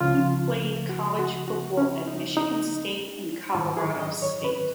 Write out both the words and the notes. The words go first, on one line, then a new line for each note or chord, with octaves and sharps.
He played college football at Michigan State and Colorado State.
C#2 C#3 F3 F4
F#4
F#4
F#4
C#4
D#4
D#4
G#2 D#3 F#3 F4
G#4
D#5
C#5
B4